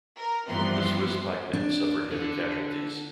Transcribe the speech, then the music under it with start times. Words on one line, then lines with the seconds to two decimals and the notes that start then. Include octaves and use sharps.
The Swiss pikemen suffered heavy casualties.
0.18 A#4
0.48 G2 E3 F3 B3 C4 C6
1.53 D4
2.12 D3